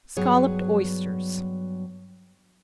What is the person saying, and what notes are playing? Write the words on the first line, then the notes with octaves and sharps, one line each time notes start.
Scolloped Oysters.
G2 F#3 B3 G#4 C#5